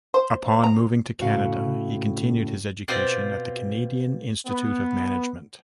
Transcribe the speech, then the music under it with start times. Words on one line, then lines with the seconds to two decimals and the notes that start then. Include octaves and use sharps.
Upon moving to Canada, he continued his education at the Canadian Institute of Management.
0.14 C5
0.64 A#5
1.20 A2 C#3 F#4 F5
2.88 B2 C4 F4 D5
4.47 B3